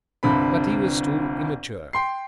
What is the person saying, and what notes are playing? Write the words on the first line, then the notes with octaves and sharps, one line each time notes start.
But he was still immature.
G1 C2 G2 C4 B5
G5 C6 C7